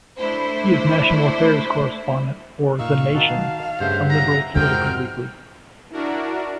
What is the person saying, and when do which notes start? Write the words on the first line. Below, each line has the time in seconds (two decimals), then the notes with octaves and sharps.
He is national affairs correspondent for "The Nation", a liberal political weekly.
0.19 A3 D4 E4 C5
2.79 A#2 D#4 F5 C#6 E6
3.15 D#3 D#4 F#4 A5
3.80 G2 C#3 A3 C5 E5 F#5
4.10 A#5
4.56 F2 G#2 C3 C4 F#4 A#4 G5 F6
5.93 D4 E4 F#4 A#4